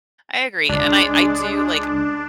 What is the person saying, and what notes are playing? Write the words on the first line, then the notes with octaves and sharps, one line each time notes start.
I agree, and I I do, like
C#2 G#3 D4 G#4 D5